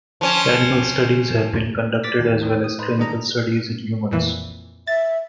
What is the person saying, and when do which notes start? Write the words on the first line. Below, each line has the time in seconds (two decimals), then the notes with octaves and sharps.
Animal studies have been conducted as well as clinical studies in humans.
0.21 F3 C#4
2.04 D6 A6 B6
2.19 D#2 A2
2.41 A2 D#3 C4
2.64 D#6
2.79 A2 D#4 B4 C5
2.98 D#3 G#3 D4 D#4 D#5 A#5
4.11 F2 A#2 E3
4.87 E5 A6